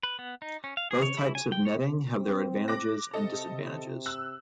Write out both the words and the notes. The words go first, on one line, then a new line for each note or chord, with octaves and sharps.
Both types of netting have their advantages and disadvantages.
B4
B3
D#4
C#4
F5
G#4
C#5
E4
G#5
G5
C#5
C4
D6 F#6 A#6
C3 A4 D#5
E6 F#6